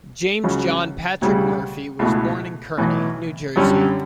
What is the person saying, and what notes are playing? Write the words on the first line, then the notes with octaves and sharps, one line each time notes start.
James John Patrick Murphy was born in Kearny, New Jersey.
C#2 C#3 F#3 C#4
E1 D2 C#3 G3
C#2 B2 A3 E4
B1 A2 E3
F#2 D3 G3 C#4